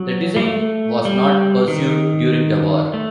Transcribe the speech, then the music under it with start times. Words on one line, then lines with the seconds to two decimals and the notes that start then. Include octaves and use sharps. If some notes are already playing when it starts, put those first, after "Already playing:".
The design was not pursued during the war.
Already playing: F#3
0.36 G3
0.42 A3
1.05 G3
1.68 D#3
2.94 A3